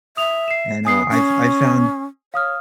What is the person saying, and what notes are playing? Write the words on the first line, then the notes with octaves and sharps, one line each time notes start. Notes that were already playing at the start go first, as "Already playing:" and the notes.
and, uh, I've I've found,
E5 D#6 F7
C7 E7
B3 G#5 D#6 C7
C#4
C#5 F5 D#6 F6